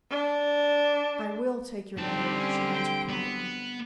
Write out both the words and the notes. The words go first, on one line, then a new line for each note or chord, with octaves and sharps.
"I will take your letter," she answered, quietly.
D4
D3 G3 C4 D#4 A5
C#4
G5
B3